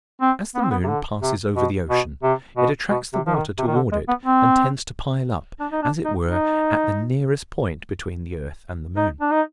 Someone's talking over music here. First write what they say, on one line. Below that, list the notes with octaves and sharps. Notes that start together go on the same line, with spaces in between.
As the moon passes over the ocean it attracts the water toward it and tends to pile up, as it were, at the nearest point between the earth and the moon.
C4
B3
C4
B3
C3
D3
C3
B2
B2
C3
B2
B2
C3
F3
D#3
C3
D#3
D3
G#3
B3
C4
D4
D#4
D4
D#4
D#4
D#4
D4
D#4